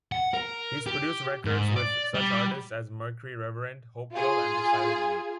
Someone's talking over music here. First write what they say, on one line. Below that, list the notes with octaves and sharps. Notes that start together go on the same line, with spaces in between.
He's produced records with such artists as Mercury Reverend, Hopewell and The Silent League.
F#5
A#4
G4
G#2
D5
G3
F4 G#4